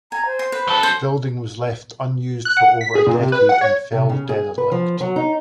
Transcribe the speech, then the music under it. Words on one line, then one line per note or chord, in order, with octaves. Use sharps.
The building was left unused for over a decade and fell derelict.
G#5 A#5
C5
C6
B4
F#3 A4
C5
F#6
F#5
B6
G#4
A#2
C3
B4
F#5
C#5
C3
C#3
G#4
B4
F3
F#3
D#4